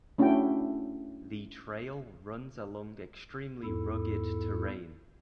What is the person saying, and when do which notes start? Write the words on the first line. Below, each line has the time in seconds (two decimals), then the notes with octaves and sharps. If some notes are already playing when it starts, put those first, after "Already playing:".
The trail runs along extremely rugged terrain.
0.18 A3 C#4 D4 E4 F#4 G5
3.64 E2 G#2 E4 A4